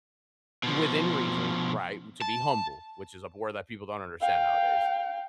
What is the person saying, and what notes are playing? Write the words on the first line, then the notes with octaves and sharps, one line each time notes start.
within reason, right, to be humble, which is a word that people don't understand nowadays.
B2 F3
A5
F5 G5